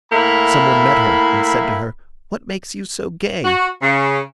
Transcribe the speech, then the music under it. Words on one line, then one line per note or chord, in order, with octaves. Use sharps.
Some one met her and said to her, "What makes you so gay?"
A2 A#3 E4 E5 B5
F#4
C#3